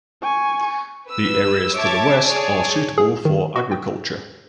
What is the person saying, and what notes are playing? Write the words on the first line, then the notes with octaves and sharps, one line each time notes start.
The areas to the west are suitable for agriculture.
G#5 C#6
B4 E6
C#5 E5 A5 D6 G#6 A6
G#4 C#5 D5 A5
G#4
D#3
F#4
G5